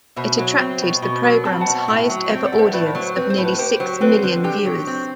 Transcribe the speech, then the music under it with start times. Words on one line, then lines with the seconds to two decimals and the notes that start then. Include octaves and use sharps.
It attracted the programme's highest ever audience of nearly six million viewers.
0.16 B2 C5 E5
0.38 F#3
0.59 C4
0.81 B2
1.02 B2
1.23 F#3
1.45 C4 A5
1.53 B5
1.61 F#5 A5
1.67 B2
1.88 A2
2.10 F#3
2.30 C4 E5 G5
2.45 D5 F#5
2.53 A2
2.59 C5 E5
2.73 A2 B4 D5
2.88 C5
2.95 F#3
3.02 C5
3.16 C4 B4
3.30 C5
3.38 A2
3.45 B4
3.55 B4
3.59 G4 C5
3.80 F#3 C5
4.01 C4 B4
4.23 D3
4.44 D4 G4
4.66 F#3
4.87 C4